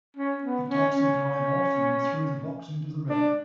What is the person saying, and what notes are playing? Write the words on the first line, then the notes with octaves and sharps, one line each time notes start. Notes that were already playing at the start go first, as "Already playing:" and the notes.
The taxi drive off, and we threw the box into the river.
C#4
B3
C#4
C#4
D4